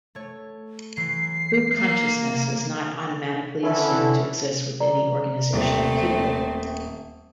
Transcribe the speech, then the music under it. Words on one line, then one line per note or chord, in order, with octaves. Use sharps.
Group consciousness is not automatically assumed to exist with any organization of people.
A3 C#5
E3 F#3 C7
A#3
D3 E3 C#4 E4 A4
D5 A#5
D#1 A3 C4